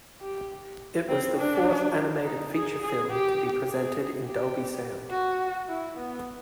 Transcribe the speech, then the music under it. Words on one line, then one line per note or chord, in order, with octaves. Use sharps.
It was the fourth animated feature film to be presented in Dolby sound.
G4
C4
D4
D#4
G#4
G#4
G4
G#4
G4
F#4
E4
B3